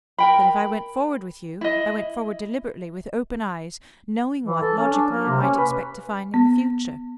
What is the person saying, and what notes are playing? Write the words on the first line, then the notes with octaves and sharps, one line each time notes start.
That if I went forward with you, I went forward deliberately with open eyes, knowing what, logically, I might expect to find in the future.
A#4 G5 B5
E4 D#5
E3
A4
C#4
D4
A#3
C3
C#4
B4
B3